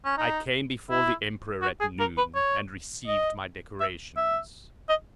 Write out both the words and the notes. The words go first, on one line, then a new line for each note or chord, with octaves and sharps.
I came before the emperor at noon and received my decorations.
C#4
D#4
E4
F#4
G#4
A#4
B4
C#5
D#5
E5
E5
D#5